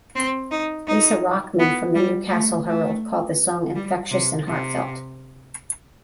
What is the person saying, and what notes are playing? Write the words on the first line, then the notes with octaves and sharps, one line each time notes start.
Lisa Rockman from The Newcastle Herald called the song "infectious and heartfelt".
C4
D#4
D#4
B3
G3
A3
A3
G3
C3
C3